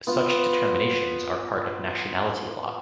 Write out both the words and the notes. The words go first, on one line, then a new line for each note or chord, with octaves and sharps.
Such determinations are part of nationality law.
B3 F4